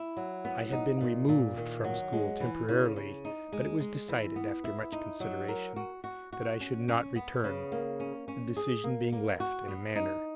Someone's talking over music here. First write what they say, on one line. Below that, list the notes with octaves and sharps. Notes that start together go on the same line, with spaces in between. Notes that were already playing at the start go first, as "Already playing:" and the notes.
I had been removed from school temporarily, but it was decided, after much consideration, that I should not return, the decision being left, in a manner, in my own hands.
Already playing: E4
F#3
B3
D#4
A#2
A#2
D#3
F#3
G#3
E3
C#3
C#3
D#4
G#3
G#3
E3
B3
E4
D#4
F#3
A#4
F#4
F#4
F#4
C#4
C#4
B3
C#3
A#3
C#4
C#4
G#4
A#3
A#3
F#4
B3
D#4